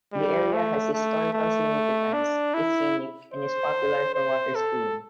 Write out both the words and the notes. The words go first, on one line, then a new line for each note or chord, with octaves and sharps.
The area has historical significance, is scenic and is popular for water skiing.
G3
A3
A3
A3
D4
E4
C5
C5
A4